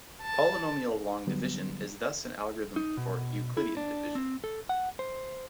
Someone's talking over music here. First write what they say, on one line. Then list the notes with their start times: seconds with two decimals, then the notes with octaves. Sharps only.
Polynomial long division is thus an algorithm for Euclidean division.
0.23 A5
1.27 D3 F#3 G3 B3
2.76 D#4
2.97 B2
3.57 E4
3.77 D4
4.15 C4
4.44 A4
4.69 F#5
4.99 C5